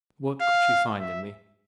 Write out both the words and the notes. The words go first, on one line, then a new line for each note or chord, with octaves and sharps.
What could she find in me?
F5
E5